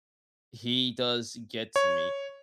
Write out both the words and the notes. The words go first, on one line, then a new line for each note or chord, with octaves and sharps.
he does get to me.
C#5